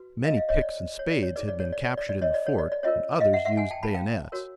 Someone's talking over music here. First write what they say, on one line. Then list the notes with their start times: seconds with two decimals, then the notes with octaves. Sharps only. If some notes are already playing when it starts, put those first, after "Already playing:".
Many picks and spades had been captured in the fort, and others used bayonets.
Already playing: F#4 B4
0.24 D#5 F5
0.37 D#5 F5
0.49 C#5 D#5
0.61 D5
0.99 C#5
1.11 D5
1.23 C#5
1.36 D#4 G#4 B4 D5
1.49 D5
1.60 C#5
1.73 D5
1.85 D5
1.98 D5
2.09 D5
2.22 C#5 D#5
2.34 D5
2.47 C#5
2.59 D5
2.72 D5
2.83 C#4 F4 A#4 C#5 D#5
3.20 D#5 F5
3.33 E5 F#5
3.45 E5 F#5
3.57 F#5 G#5
3.71 G5 A5
3.83 A5 B5
3.94 F5 G5
4.32 F#4 A#4 C#5